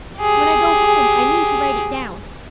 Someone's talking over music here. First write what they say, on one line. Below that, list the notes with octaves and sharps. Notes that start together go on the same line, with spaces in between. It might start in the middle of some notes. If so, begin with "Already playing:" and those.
When I go home I mean to write it down.
G4 G#4